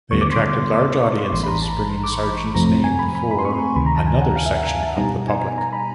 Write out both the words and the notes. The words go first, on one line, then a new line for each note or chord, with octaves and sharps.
They attracted large audiences bringing Sargent's name before another section of the public.
D#2 D3 G3 B3 C#6
D6
C6
C#6
C6
A1 A2 E3 C6
B5
A#5
A5
B5
D6
C#6
B5
F2 C3 F3 A3 C4 A#5
G#5
B5
B5
B5
C6
C#6
D2 C3 D#3 B5
A#5
A5
G#5
F#5
F5
E5
F#5
G#5
A5
B2 G3 B3 D#4 A#5
G#5
G#5
A#5
B5